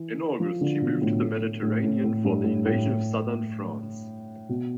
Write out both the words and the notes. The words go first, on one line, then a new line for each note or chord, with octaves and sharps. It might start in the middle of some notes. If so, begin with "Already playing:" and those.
In August, she moved to the Mediterranean for the invasion of Southern France.
Already playing: E3
F3
D3
B2
A2
A2
A2
A2
A2
G2
A2
A2
B2